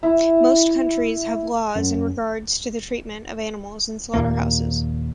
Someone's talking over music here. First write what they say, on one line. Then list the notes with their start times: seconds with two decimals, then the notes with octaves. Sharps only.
Most countries have laws in regard to the treatment of animals in slaughterhouses.
0.03 E4
1.76 F#2
4.14 D#2 A#2 A#3